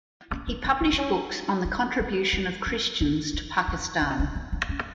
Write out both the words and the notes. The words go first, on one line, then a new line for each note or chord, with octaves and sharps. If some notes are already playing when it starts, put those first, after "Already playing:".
He published books on the contribution of Christians to Pakistan.
C#4
D#4
C#4
D#4
B3
C#4
D#4
A#3
B3
C#4
B3
D#4
C#4
C#4
D#4
C#4
B3
C#4
C#4